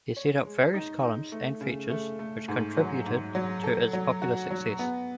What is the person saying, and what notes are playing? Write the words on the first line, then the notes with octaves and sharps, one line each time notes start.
He set up various columns and features, which contributed to its popular success.
C#5
G#3
D#4
D#4
A3
C#3
A3
A3
G#2
F#3
G#2
F#3
A4
F#3
F#4
F#3
B3